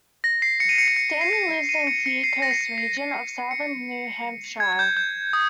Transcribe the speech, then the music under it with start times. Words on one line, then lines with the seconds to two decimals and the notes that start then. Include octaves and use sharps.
Stanley lives in the Seacoast region of southern New Hampshire.
0.24 A#6
0.42 C7
0.60 C#7
0.69 D#7
0.78 C#7
0.88 C7
0.96 C#7
1.21 C7
1.33 C#7
1.69 D#7
1.87 C#7
2.06 C#7
2.24 C7
2.42 A#6
2.51 C7
2.61 C#7
2.78 C7
2.97 A#6
3.14 C7
3.51 C#7
4.60 G#6
4.73 G#6
4.79 G6
4.97 G6
5.33 D#6